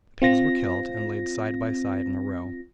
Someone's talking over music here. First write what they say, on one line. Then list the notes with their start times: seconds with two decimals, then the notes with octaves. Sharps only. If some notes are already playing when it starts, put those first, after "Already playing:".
The pigs were killed, and laid side by side in a row.
0.22 C4 F4 A#6